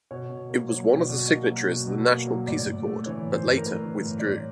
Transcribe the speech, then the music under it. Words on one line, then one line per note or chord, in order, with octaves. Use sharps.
It was one of the signatories of the National Peace Accord, but later withdrew.
B2 C#5
B2
A#3
F#3 C#5
B2
D5
B2
A#3 D#5
F#3
B2
B2
A#3
F#3
A2 D5
A2
A3
E3 C#5
A2
C5
A2
A#4
A3 B4
E3
A2
D5
A2 C#5